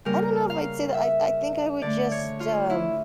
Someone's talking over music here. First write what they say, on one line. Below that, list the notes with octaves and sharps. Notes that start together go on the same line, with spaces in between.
I don't know if I'd say that. I I think I would just, um,
C#3 G3 A#3 A#4
F5
E5
D3 A3 D5
C#5
F4
E4